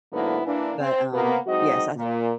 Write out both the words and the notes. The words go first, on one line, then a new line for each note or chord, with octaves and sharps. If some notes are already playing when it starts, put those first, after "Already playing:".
but, um, yes, I s
G#2 D3 F#3 A#3 B3 E4
E3 A#3 D4
C4
C3 A#3 B3
F#3 G#3 C4 D#4 F#4 D#5
A#2